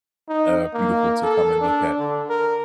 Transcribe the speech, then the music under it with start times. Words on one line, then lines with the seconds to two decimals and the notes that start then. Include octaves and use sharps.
uh, beautiful to come and look at.
0.29 D#4
0.73 A#3
1.24 A4
1.61 D4
1.99 D3
2.30 A#4